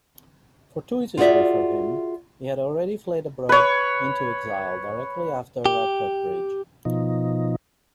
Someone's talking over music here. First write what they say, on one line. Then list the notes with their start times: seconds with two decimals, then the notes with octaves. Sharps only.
Fortuitously for him, he had already fled abroad into exile directly after Radcot Bridge.
1.17 F4 F#4 G#4 D5 E5
3.49 B4 C#5
5.66 G4
6.85 B2 F3 D#4